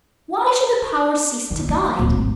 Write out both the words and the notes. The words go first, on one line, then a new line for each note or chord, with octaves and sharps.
Why should the Power cease to guide?
D#3
A#3
D1
G#1